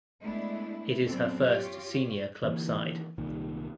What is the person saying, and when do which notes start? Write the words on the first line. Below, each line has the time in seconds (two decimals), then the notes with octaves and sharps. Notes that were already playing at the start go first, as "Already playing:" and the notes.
It is her first senior club side.
0.22 G#3 A3 B3 D4 E4
1.04 F#2 B3 C4 D4 A4
1.41 F4 G4 C#5
2.44 D3 E3 A#3
3.18 C2 A#2 D#3